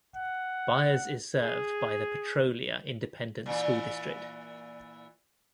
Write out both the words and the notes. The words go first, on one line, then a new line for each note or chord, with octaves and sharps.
Byers is served by the Petrolia Independent School District.
F#5
G#4
A#2 E3